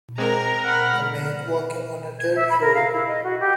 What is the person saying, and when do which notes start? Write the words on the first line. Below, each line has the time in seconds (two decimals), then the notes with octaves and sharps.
A man walking on a dirt road.
0.18 G#3 C4 A#4 A#5
0.65 F#5 B5 F6
2.19 G#6
2.35 E5
2.50 B5
2.61 A#4
2.74 F5
2.93 E4
3.07 D#5
3.24 F#4
3.40 G4